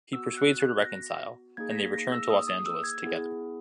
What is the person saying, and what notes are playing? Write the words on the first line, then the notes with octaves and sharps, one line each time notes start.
He persuades her to reconcile, and they return to Los Angeles together.
B3 F#4 E6
F#6
F#6
A#6
A#3 D#4 G#4 G#6
A#6
B6
A#6
E6
D#6
D#6
E6
G#6
B3 E4 G#4